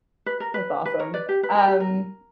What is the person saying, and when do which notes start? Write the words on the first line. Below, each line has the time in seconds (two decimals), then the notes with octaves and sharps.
that's awesome, um,
0.26 B4
0.40 A#4
0.54 B4
0.85 B4
0.99 A#4 C#5
1.14 B4 D5
1.29 G4
1.43 B4
1.55 A#4
1.68 G4
1.80 A#4